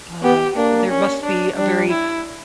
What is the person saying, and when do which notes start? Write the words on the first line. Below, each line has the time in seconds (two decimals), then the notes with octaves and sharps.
uh, there must be a very,
0.23 B3 G4
0.56 A#3 D4
0.90 C#4
1.23 D4
1.56 G3 D4
1.90 E4